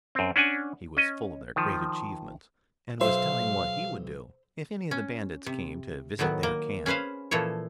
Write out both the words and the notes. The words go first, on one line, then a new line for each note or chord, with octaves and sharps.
He was full of their great achievements and was telling what he would do if any of the bandits came to visit their camp.
F#2 C4
C#4 D4 F#5 G#5
C#4 D#5
D#3 F3
B1 C5 E5 F5
C#4
C3
A2 D#3 F#3 B3
A#3
C#4 G#4 B4 C5 F5
A#2 E3 F3 A4 C#5